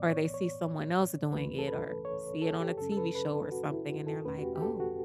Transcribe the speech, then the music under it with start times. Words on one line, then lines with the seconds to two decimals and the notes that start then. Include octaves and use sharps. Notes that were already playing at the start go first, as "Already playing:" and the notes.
or they see someone else doing it, or see it on a TV show or something, and they're like, "Oh."
Already playing: A2 E3 B3 D5
0.09 C#5
0.34 C#5
1.31 C#2 C#3 E3 A3 C#4 B4
1.59 A4
1.68 B4
2.05 C#5
2.42 A4
2.60 G4
2.78 F#2 C#3 F#3 C#4 A4
2.92 A4
2.97 B4
3.15 B4
3.34 A4
3.52 F#4
3.70 E4
3.88 F#4
4.07 A4
4.25 E2 B2 A3 C#4 B4
4.38 F#4
4.43 G4
4.56 G4
4.62 A4
4.80 F#4